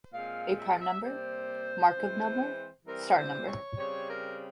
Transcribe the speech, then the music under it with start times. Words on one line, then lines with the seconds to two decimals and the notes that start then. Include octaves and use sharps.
A prime number, Markov number, star number.
0.12 A#2 G#3 C4 F5
0.58 E5
0.69 F5
0.82 E5
1.03 C3 G3 A#3 C5
1.94 E3 G#3 C4
2.85 E3 G3 C4 A#4
3.16 C5
3.47 C#5
3.77 C#3 G3 C4 C#5
4.08 A#4